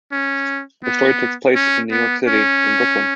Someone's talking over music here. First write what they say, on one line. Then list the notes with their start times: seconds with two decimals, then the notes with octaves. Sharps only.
The story takes place in New York City, in Brooklyn.
0.12 C#4
0.84 B3
1.55 C#4
1.91 B3
2.28 C#4